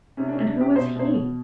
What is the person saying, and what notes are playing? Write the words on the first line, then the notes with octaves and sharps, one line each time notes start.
And who was he?
C3 C#4
D4
C#4
C3
D4
C3 G4
B2 C5
B2 C5
C#5
B2